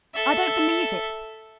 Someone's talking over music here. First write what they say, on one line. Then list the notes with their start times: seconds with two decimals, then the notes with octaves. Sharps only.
I don't believe it!
0.14 A4 E5